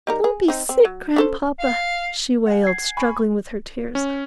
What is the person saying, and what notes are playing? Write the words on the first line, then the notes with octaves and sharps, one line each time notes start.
"Don't be sick, Grandpapa," she wailed, struggling with her tears.
G3 D#4 A#4
G#4
C4 D#4
C4
F#3
C#4 A4 C5
F5
F#5 G#5
G#6 C7
G#5 B5 C#6
C#4